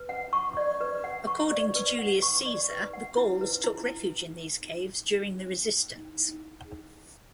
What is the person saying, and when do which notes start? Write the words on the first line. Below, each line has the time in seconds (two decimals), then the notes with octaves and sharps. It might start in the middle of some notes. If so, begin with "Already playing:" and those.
According to Julius Caesar the Gauls took refuge in these caves during the resistance.
Already playing: B4
0.09 F#5
0.33 C#6
0.57 D5
0.81 B4
1.04 F#5
1.27 C#6
1.52 D5
1.76 B4
1.99 F#5
2.22 C#6
2.46 D5
2.69 B4
2.93 F#5
3.17 E4
3.41 B4
3.64 E4